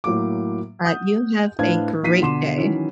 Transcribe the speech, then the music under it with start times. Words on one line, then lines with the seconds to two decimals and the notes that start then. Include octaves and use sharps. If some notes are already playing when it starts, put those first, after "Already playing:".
Right. You have a great day.
0.04 A2 F#3 A#3 D6
0.84 F#5 D#6 G6
1.59 A2 D4 B4 C5 F5 G#6
2.03 A#1 D#4 F4 B6 C7 D#7
2.22 B2 D3 C6 D6 E7
2.58 D#3 E3 F#3 C#4 E4